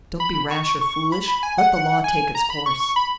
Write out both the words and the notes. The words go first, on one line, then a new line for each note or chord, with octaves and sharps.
"Don't be rash or foolish; let the law take its course."
B5
C#6
C#6
B5
B5
G#5
F#5
F#5
G#5
A#5
B5
C#6
C#6
B5